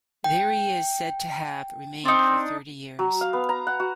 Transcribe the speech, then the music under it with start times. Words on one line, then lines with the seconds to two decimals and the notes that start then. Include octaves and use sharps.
There he is said to have remained for thirty years.
0.24 G5
2.05 C4 D4 D#4
2.99 F#3
3.21 F5
3.33 B3
3.49 A#5
3.67 F#5
3.80 F#4